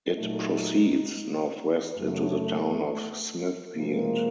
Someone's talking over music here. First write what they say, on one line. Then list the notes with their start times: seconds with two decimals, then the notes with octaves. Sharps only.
It proceeds northwest into the town of Smithfield.
0.16 A#2 F#3 A3 D#4
1.96 F#2 C#3 F#3 A3
3.76 C3 F3 G#3 A#3